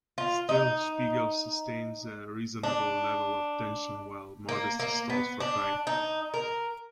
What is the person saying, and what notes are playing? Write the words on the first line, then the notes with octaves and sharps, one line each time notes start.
Still, Spiegel sustains a reasonable level of tension while Modesty stalls for time.
F4
D#4
D4
A#3
A#3
B3
D4
D#4
A#4